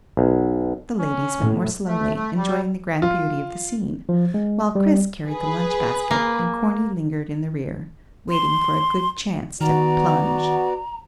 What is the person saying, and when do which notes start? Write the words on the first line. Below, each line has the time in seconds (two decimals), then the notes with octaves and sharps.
The ladies went more slowly, enjoying the grand beauty of the scene, while Chris carried the lunch-basket, and Corny lingered in the rear, waiting for a good chance to "plunge."
0.17 B1
0.99 C#4
1.40 A2
1.87 A3
2.14 A3
2.36 G3
3.02 F4
4.09 F3
4.34 G#3
4.75 G3
5.27 G#4 B4
6.11 A#3
8.30 C6
9.61 D#3 B3 F#4 D5 A#5